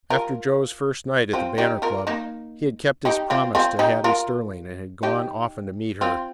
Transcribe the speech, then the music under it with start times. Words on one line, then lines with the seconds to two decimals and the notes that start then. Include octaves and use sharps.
After Joe's first night at the Banner Club he had kept his promise to Hattie Sterling and had gone often to meet her.
0.10 F4 A#4
1.33 C4 F4
1.58 D#4 G4
1.82 F4 A#4
2.07 A#3 D#4
3.05 D#4 G4
3.30 C4 F4
3.55 C4 F4
3.79 D#4 G4
4.04 F4 A#4
5.03 D#4 G4
6.01 C4 F4